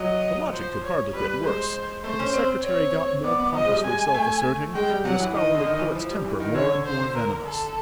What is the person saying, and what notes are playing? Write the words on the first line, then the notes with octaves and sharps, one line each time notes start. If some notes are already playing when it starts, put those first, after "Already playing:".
The logic could hardly get worse, but the secretary got more pompously self-asserting, and the scholarly poet's temper more and more venomous.
Already playing: F#3 D#5
F3 C5
C#5
G3 B4
G#3 C5
A3 C5
C#4
C4
C4 C#5
B3 D5
B3
F3 D#5
G#3
G3
G#3 G#5
A3
G#3 G5
G3
F#3 F#5
E3
D#3 D#5
D3
D#3
E3
F3
G3
E3
D#3
D3 C#5
C5
A#4
A4